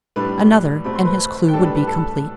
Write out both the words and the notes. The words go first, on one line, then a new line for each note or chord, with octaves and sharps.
Another, and his clue would be complete!
A2 G3 D4 B4 B5
B2 A3 C4 B5
C6
B4 B5
G5
A2 G3 D4 A4 A5
B4 B5
B4 B5
A4 A5